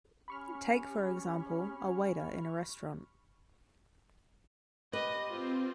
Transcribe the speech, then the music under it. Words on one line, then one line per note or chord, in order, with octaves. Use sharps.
Take for example, a waiter in a restaurant.
C#4 G4 B5 C#6 F6
G4 B4 D#5
C4 F4 C5